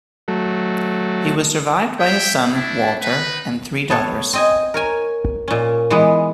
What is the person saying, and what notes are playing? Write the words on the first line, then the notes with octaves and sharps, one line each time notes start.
He was survived by his son, Walter, and three daughters.
F#3 A3
C#5 E5 G5
A3 D4 E4
D#4 B4
B3 A4 C#5 F5
C4 D#5 G#5
A#4 C#5 G#5
A#2 C#4
E3 G#3 B3